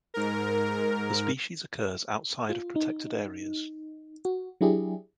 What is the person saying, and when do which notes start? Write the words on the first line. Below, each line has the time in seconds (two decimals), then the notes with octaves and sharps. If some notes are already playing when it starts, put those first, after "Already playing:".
The species occurs outside of protected areas.
0.14 G#2 A#4
2.50 F4
2.76 D#4
4.25 F#4
4.61 F#3 D4 E4 G4 G#4